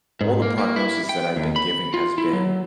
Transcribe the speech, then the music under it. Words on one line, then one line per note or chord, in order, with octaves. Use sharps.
all the prognosis that I've been giving has been
G#2
A#3
A#3
E4
G5
D#2
B5
F4
E4
F#3